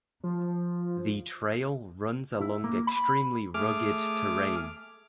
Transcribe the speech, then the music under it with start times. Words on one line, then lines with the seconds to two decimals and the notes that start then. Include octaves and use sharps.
The trail runs along extremely rugged terrain.
0.24 F3
2.41 E4
2.64 A#3
2.87 B5
3.54 A3 G#4 D6 F6